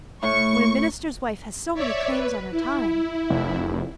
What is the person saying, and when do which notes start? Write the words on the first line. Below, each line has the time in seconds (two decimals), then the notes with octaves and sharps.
When a minister's wife has so many claims on her time!
0.23 A2 C#6
1.74 C#5 D5 E5
2.06 B4
2.50 E4
3.30 F1